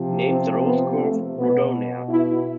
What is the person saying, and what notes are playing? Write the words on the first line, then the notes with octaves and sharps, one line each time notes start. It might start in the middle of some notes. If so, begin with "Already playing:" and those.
He named the rose curve "rhodonea".
Already playing: C3 F3
C4
B3
A3
B2 B3
E4